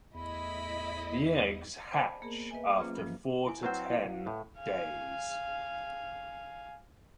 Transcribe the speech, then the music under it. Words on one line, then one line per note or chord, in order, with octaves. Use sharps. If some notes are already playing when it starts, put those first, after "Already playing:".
The eggs hatch after four to ten days.
E2 A2 E4 D#5 B5
C5 D5 D#5 G#5 A5 B5
A#3 B3 G#4 A#4
B4 D#5 E5 G#5
F#3 A#3 C#4 F4 G#4 C5
G2 E3 F3
E4 G#5
F#3 C4 B4 C5 F#5
E4 F5
A2
F5 G#5